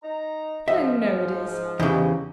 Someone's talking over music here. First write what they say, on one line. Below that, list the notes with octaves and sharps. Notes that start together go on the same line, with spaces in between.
But I know it is.
D#4 A#5
G#2 F3 D#5 E5
E2 C#3 D#4 E4 G4